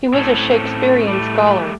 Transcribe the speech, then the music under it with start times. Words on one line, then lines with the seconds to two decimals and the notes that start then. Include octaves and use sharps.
He was a Shakespearian scholar.
0.13 A2 C4 C#4 A4
1.07 G3 A3